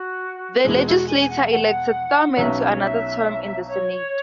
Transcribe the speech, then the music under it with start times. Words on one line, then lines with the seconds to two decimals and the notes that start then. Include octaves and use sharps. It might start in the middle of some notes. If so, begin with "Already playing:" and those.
The legislature elected Thurman to another term in the Senate.
Already playing: F#4
0.65 E2 B2 G#3 E4
0.76 F#4
0.87 E4
0.96 F#4
1.08 G#5
1.30 F#5
1.50 F#5
2.37 B1 B2 F#3 C#4 E5
2.59 C#5
2.81 E5
3.67 C#5